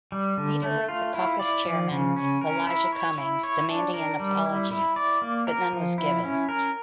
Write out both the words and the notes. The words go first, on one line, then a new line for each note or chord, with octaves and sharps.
Nader wrote the caucus chairman, Elijah Cummings, demanding an apology, but none was given.
G3
D3
A3
F4
E4
D5
F3
C#3
C#4
A#4
E4
C#5
E4
C#5
D4
A#4
G3
E4
E4
D5
A#3
A#4
F3
E4
C#4
A#4